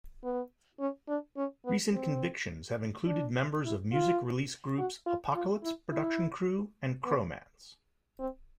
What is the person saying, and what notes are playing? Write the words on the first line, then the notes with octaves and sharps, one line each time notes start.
Recent convictions have included members of music release groups Apocalypse Production Crew and Chromance.
B3
C#4
D4
C#4
B3
C4
D4
E4
F4
F#4
F4
F4
E4
E4
B3
C4